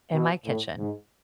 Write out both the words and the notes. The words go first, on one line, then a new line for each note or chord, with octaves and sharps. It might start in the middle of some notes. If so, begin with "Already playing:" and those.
in my kitchen
B2
A2
G#2